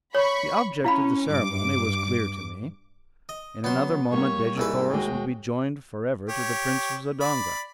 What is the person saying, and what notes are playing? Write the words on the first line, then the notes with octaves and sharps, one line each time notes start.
The object of the ceremony was clear to me; in another moment Dejah Thoris would be joined forever to the Prince of Zodanga.
C#5 B5 C#6
C#4 E4 F5 B5
G2 D6
D#5
C#3 F#3 B3 C6
G3 A#3 D#4 C#5 C#6
C2 G#2 B4 E6
D#2 G#3 F#4 G5
G4 C#5
D5 B5